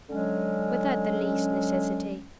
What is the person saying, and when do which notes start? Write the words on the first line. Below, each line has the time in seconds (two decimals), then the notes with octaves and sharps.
"Without the least necessity."
0.09 D3 F#3 G#3 C#4